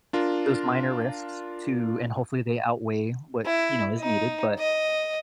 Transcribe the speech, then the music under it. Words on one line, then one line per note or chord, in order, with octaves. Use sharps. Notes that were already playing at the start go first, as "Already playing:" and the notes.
those minor risks to, and hopefully they outweigh what, you know, is needed, but,
D4 F4 A#4
E4
D#4
D#5